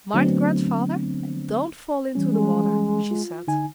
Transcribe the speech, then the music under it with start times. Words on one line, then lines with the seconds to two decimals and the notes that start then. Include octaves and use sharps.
"Mind Grandfather, and don't fall into the water," she said.
0.14 D3 F#3 A3 B3 C4 D4
2.15 E3 G3 C#4
2.29 G#3
3.11 F4
3.47 D3 D#4 G#5